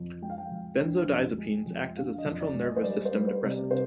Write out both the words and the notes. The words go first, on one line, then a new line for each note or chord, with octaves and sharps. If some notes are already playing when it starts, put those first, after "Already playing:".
Benzodiazepines act as a central nervous system depressant.
Already playing: F2
G#3 G5
F5
G5
F2
D3
F2
G#3
F2
D3 F5
D#5
F2
D5
G#3
D#5
C5
G3 D5
C5
G3
C5
C3
D5
C3 C5